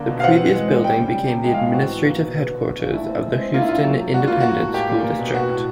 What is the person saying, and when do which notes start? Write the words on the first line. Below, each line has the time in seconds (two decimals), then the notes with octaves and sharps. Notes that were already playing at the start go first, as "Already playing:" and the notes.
The previous building became the administrative headquarters of the Houston Independent School District.
Already playing: D3 A#3
0.09 B2
0.20 F5
0.23 C4 F#5
0.39 E3
0.54 G#3
0.68 C4
0.84 G3 G5
0.98 C#3
1.13 G3
1.29 C3
1.44 G#3 G5
1.54 F5
1.59 A2
1.74 C4 F#4
1.89 E3
2.04 A#3
2.19 B2
2.34 B3
2.49 D3
2.64 B3
2.79 A#2
2.94 A3 E4
3.09 C4
3.24 G#3
3.39 C4
3.54 A#3 F4
3.62 E4
3.69 A#2 F4
3.84 F#3
3.99 C3
4.14 G3 F#4
4.27 A#3 F4
4.40 A#3 F#4
4.59 A2
4.74 A#3 G4
4.89 A#2
5.04 A#3
5.19 B2
5.34 B3 F#4
5.49 A2